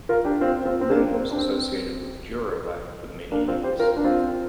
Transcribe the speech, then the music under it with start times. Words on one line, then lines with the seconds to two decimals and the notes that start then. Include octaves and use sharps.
Lynn was associated with Dur-O-Lite for many years.
0.09 F4 A#4
0.25 D4 G4
0.41 C4 F4
0.65 C4 F4
0.81 C4
0.90 A#3 D4
1.05 A#3
1.13 C4
1.31 D4
1.38 C4
3.32 A#3 D4
3.48 C4 F4
3.63 G4 C5
3.80 F4 A#4
3.97 D4
4.04 C4 F4